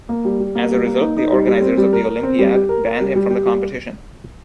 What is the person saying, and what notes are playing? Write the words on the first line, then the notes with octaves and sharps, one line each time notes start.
As a result, the organizers of the Olympiad banned him from the competition.
A#3
G3
G3
A#3
G3
A#3
D#4
D#4
G3
G3
C4
G3
A#4
A#4
C4
G3
G4
A#4
A#4
G3
G3
G4
G3